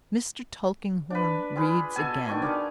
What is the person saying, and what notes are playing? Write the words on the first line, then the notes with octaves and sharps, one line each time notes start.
Mr. Tulkinghorn reads again.
D4 B4
F4 G#4 B4
B2 A4 G#5
D#3 D4 C#6
G#4 A#4 D5